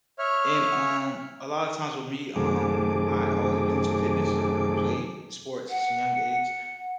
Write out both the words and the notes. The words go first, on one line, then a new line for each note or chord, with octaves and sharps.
And, um, a lot of times with me, um, I always been into fitness. Like, I played sports since a young age,
C#5 E5 F6
F#2 C3 D#3 A3 G#4 D6
F#5